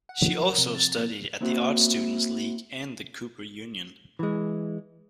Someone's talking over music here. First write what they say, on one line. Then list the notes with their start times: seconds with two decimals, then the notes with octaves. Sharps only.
She also studied at the Art Students League and the Cooper Union.
0.09 F#5
0.22 F3
0.38 A#4
0.58 C3
0.75 A6
0.98 A#3
1.41 A#3 C4 E4 F#4
4.19 E3 G#3